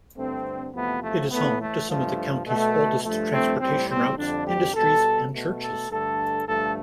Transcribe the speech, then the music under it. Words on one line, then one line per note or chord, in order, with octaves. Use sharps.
It is home to some of the county's oldest transportation routes, industries and churches.
G2 D3 A3 C4
E2 C3 F3 A3 B3
A3
A2 E3 A3 B3
A3
G2 F3 A3
B2 A3
G2 F3 A3
C4
A2 G3 C4
C4
F2 D3 G3 D4
G4
B2 G3 A4
B2 A3
A4
G2 D3 A3 A4
G2 D3 F3 A3 A4